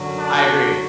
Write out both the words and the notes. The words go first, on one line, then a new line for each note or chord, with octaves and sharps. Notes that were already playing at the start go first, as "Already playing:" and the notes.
I agree,
Already playing: F#2 D3 F#3
D4